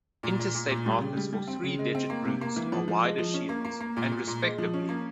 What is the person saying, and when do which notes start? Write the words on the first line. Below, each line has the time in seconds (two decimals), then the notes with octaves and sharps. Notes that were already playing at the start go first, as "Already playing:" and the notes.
Interstate markers for three-digit routes are wider shields, and respectively.
0.23 A#2
0.39 A#2
0.54 A#2
0.70 A#2
0.86 G3
1.01 C#3
1.17 G3
1.33 G3
1.47 C4
1.64 C#3
1.79 G#3
1.95 C4
2.10 A#3
2.25 C3
2.41 A#3
2.56 E3
2.72 F3
2.88 F3
3.03 G#3
3.18 F3
3.34 C#4
3.49 A#3
3.65 A#3
3.81 A#3
3.97 A#2
4.11 A#2
4.27 A#2
4.43 G#3
4.58 F3
4.74 C#4
4.89 A#3